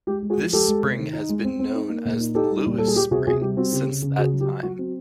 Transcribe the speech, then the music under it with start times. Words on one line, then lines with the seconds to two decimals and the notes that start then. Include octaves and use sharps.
This spring has been known as the Lewis Spring since that time.
0.07 G#3 G4
0.22 G#3
0.30 F#4 G#4
0.37 F3
0.53 G#3 G4 A4
0.68 G#3
0.83 C3
0.98 D#3
1.13 D#4
1.29 G#3
1.44 C4
1.59 C4
1.75 D#4
1.90 A#3
2.05 A#2
2.20 D#4
2.35 D#4 G4 A4
2.51 G3
2.66 A#2
2.78 G3 A4
2.87 G#4
2.96 G3 G4
3.11 C3 F#4 G#4
3.26 C3 F#4 G#4
3.41 G3 G4
3.57 C4 F#4
3.72 C#3 G4
3.87 C#3
4.02 C#3
4.17 C#3 F#4 G#4
4.33 F#3
4.40 G4
4.48 F#3
4.63 F#3 F#4
4.79 C4